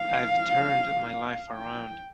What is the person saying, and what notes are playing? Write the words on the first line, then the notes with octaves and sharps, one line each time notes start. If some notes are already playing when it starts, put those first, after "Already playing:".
I've turned my life around.
Already playing: F5
G5